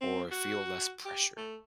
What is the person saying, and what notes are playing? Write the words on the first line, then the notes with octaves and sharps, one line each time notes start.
or feel less pressure?
C4
F#4
G4
A3